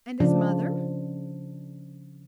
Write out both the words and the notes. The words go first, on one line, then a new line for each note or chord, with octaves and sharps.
"And his mother?"
C#3 F3 D4